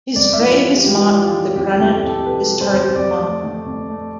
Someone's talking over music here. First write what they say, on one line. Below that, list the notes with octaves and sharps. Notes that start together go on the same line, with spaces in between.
His grave is marked with a granite historical marker.
F2 D5
E5
E3
F4
G3
E3 G4
G3
F4
E3
F2 G4
G4
F2
G4
F2
A4
C3 B4
C3
C5
F2
F2 D5
A3
A3
F2
A3